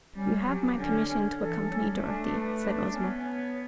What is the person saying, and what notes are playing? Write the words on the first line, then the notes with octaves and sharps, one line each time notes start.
"You have my permission to accompany Dorothy," said Ozma.
G3 C#4
F#3 G4
D3 C#4
C#4
E3 A4
G3 C#4
A3 D4
B4
D4
B3 C#4
C#5